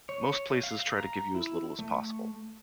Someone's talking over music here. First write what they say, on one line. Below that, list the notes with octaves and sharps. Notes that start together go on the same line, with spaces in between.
Most places try to give you as little as possible.
C#5
F5
A#5
E4
A3